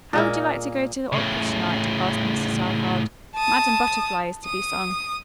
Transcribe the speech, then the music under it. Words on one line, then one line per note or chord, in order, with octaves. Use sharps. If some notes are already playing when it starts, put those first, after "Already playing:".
"How would you like to go to the opera to-night?" asked Mr. Southard. "'Madame Butterfly' is to be sung."
A#2 G#3 A#3
A2 C#3
A5 D#6
D#6